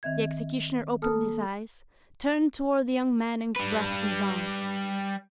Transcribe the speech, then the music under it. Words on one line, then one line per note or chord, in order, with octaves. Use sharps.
The executioner opened his eyes, turned toward the young man and grasped his arm.
D#3 C4 E5 G#6
A#3 A4 A5 D#6 F6
G3 B4